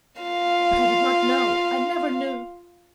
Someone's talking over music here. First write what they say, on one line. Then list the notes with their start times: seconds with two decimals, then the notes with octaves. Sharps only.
But I did not know; I never knew!
0.21 F4 F5